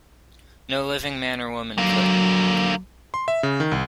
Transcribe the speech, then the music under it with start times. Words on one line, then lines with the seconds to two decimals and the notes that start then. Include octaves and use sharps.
No living man or woman could.
1.78 D3 F#3 A#3
3.14 C6
3.28 E5
3.43 C#3
3.60 D#3
3.72 C2